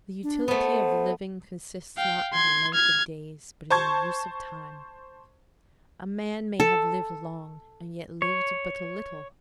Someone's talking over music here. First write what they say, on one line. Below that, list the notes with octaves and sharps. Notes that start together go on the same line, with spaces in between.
The utility of living consists not in the length of days, but in the use of time; a man may have lived long, and yet lived but a little.
D4
A3 B3 C5
F5 G5
C6 G#6
F6 G#6
C5 A5 C#6 G#6
A4
C#5